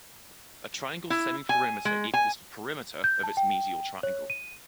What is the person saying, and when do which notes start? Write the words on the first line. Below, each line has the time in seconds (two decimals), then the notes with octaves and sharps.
A triangle's semiperimeter equals the perimeter of its medial triangle.
1.10 E4
1.49 G#5
1.85 G#3
2.14 G#5
3.04 G6
3.23 A5
3.37 G5
4.03 C#5
4.30 D#7